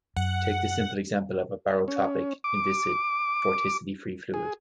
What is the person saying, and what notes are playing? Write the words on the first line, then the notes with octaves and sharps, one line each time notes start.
Take the simple example of a barotropic, inviscid vorticity-free fluid.
F#2 F#5
C#4
D6
G#4